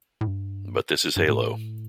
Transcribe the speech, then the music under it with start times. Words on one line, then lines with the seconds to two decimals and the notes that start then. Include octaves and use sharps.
But this is Halo.
0.21 A2
0.27 G2
1.16 G2
1.28 A2